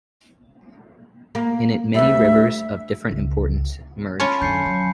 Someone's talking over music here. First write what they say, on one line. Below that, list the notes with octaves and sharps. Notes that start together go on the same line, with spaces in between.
In it many rivers of different importance merge.
A#3
D2 G3 E5
C#2
C#4 F4 C#5 G#5 A5 B5
F#2 D3 G6 C7 C#7
F#3